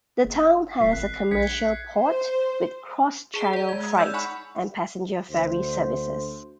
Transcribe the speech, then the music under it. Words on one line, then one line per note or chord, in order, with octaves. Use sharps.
The town has a commercial port with cross-Channel freight and passenger ferry services.
F#1
D#1 B6 C7
G#1 F#6
A#1 G#6 B6 C#7
C5
G#4 A5 G7
D5 A#5
G#3 G#6
D#6
C#5 D5 E6 G6
D#4 F#5 G#5 B5 C#6
D2 C5